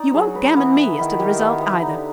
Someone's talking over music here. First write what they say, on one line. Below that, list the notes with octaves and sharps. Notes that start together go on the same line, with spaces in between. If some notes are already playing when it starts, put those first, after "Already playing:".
You won't gammon me as to the result, either.
Already playing: D#4 D5
F#3 G#4
B4
E3 B3
B4
D#3 E4
G4
B3
B3
D3 D#4